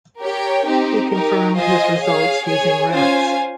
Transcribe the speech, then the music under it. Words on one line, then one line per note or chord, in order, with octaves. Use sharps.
He confirmed his results using rats.
G4 A#4 C#5 G5
C4 D#4 G4
D#4 G4 A#4
F4 C5 D#5 G#5
G#4 C#5 F5
G#4 C#5 G#5
C#4 F4 C5 F5 G#5